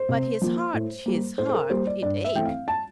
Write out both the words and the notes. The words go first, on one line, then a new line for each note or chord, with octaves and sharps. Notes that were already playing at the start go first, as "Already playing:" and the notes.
But his heart, his heart ... it ached!
Already playing: C5
C3
F3 A#3
A2
G3 A#3
A2 C5
C5
A#4
G3 A#3 C5
D5
G2 D5
E5
E3 A3 C4 G5
F5
A5